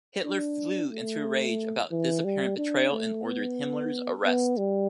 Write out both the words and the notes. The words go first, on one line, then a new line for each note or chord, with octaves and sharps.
Hitler flew into a rage about this apparent betrayal and ordered Himmler's arrest.
D4
A3
E3
G3
D4
A3
B3
B3
G3